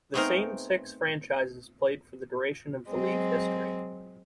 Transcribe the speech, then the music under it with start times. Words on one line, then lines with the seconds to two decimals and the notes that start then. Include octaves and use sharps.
The same six franchises played for the duration of the league history.
0.14 A3 B3 C4 D#4 G#4 A#4
2.88 F#3 G#3 C4